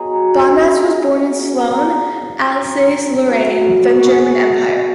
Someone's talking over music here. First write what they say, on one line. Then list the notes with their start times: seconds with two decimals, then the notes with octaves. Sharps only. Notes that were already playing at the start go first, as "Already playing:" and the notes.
Bonatz was born in Solgne, Alsace-Lorraine, then German Empire.
Already playing: F#3 B3 D#4 G#4
0.74 G#4
1.59 A#4
3.26 F#3 C#4 E4 B4
4.01 F#4
4.11 G#4